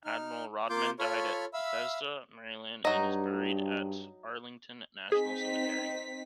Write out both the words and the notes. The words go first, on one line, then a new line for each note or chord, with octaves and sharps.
Admiral Rodman died at Bethesda, Maryland and is buried at Arlington National Cemetery.
D#4 F6
A#3 F4 C6 D6 G6
F4 A4 C#5 B5 C#6 F6
E5 F5 B5 E6
G2 F#3 D#4
C4 D#4 G#4 B6